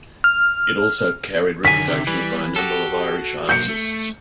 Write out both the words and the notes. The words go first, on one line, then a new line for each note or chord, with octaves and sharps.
It also carried reproductions by a number of Irish artists.
F6
F#2 D3 D#3 G#5 B6
C3
E3 G3
F#4 G4 A4
B1 A#3 G6 C#7
A3